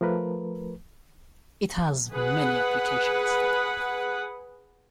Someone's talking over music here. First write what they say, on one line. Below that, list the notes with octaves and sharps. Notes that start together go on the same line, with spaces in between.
It has many applications.
F3 A3 A#4 B4
G#4 B4 F#5